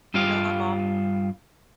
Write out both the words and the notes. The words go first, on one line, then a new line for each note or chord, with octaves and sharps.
know my mom,
G2 G3 F4 G4 F5